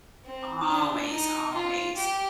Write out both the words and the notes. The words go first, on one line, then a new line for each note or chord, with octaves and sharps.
Always, always.
C4
D4
D#4
F4
G4